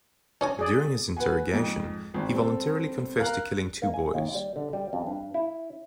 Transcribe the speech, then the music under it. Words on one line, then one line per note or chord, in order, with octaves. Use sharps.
During his interrogation, he voluntarily confessed to killing two boys.
C#4 C#5 G#5
G#4 D5
B4 F#5 G#5
F2 G#2
G#1 C4
G3 C4 A4
A#4 F5 A#5 F#6
A#3
G#5
D#2
G3
D3
G3
F2
G2
E4